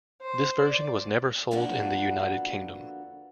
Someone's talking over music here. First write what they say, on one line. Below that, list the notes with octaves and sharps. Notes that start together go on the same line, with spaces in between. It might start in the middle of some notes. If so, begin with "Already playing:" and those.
This version was never sold in the United Kingdom.
C5
D5
F2 D3 A#3 B3 D4 F#4